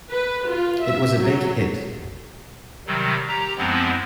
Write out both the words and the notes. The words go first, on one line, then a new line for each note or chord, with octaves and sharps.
It was a big hit.
B4
F4
E5
F#3
C3 D#3 F#3 G3
G4 A#5
F#2 F3 G#3 B3 C4 E4